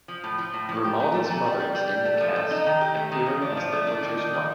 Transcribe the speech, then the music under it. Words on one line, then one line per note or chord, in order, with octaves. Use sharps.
Grimaldi's mother was in the cast, appearing as the Butcher's Wife.
F3
A2
F3
A2
F3
G4
A#2
A3
A#2
G3
G3
G3
G3
A3
F3
A4
D#4
D#3
G4
A3
D#3
F3
D4
F3
A3
D4
D#3
D#3
D#3